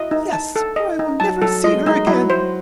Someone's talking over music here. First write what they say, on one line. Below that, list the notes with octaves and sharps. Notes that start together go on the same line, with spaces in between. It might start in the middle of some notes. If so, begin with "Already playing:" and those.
"Yes, or I will never see her again."
Already playing: E4 F#4 D#5
D#4
A5
A4
D#5
D#4
F#3 A5
F#3 A4
G#3 D#5
G#3 D#4
F#3 E4
C5